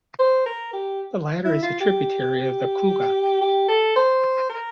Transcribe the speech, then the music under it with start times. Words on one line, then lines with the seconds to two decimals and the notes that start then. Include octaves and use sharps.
The latter is a tributary of the Kouga.
0.19 C5
0.46 A#4
0.73 G4
1.45 E4
1.63 F4
1.81 G4
3.41 G4
3.69 A4
3.96 C5
4.50 A#4